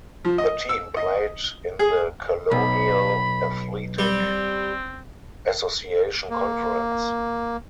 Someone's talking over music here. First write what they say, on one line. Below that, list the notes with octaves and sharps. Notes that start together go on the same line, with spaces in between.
The team played in the Colonial Athletic Association conference.
F3
D#5
E6
D#5
G#4
B1 B5
G3 C4
A#3